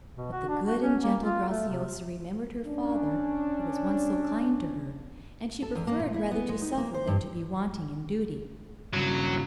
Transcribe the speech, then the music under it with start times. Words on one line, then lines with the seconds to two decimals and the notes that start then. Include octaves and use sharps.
But the good and gentle Graciosa remembered her father who was once so kind to her, and she preferred rather to suffer than to be wanting in duty.
0.17 B2
0.32 F#4
0.48 D4
0.67 F#4
0.81 C#4
1.02 A#3
1.21 F4
1.48 A3
1.68 C3
2.65 C#4 D4
5.62 A4
5.75 E2
5.87 A#3
6.00 A#2
6.14 E4
6.31 B3
6.49 G#3
6.62 D#4
6.77 A#3
6.94 C5
7.07 G2
8.93 G2 C#3 F#3